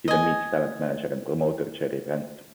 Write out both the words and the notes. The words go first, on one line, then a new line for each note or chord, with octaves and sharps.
He then meets talent manager and promoter Jerry Brandt.
D#5 G#5